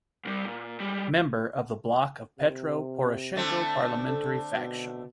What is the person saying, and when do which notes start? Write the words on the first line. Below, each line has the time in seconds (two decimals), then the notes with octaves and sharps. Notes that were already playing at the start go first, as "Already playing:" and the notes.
Member of the Bloc of Petro Poroshenko parliamentary faction.
0.25 C2 G3
0.45 A#2
0.80 G3 G#3
2.39 C3
3.36 D3 A3 C4
4.07 A4
4.55 B2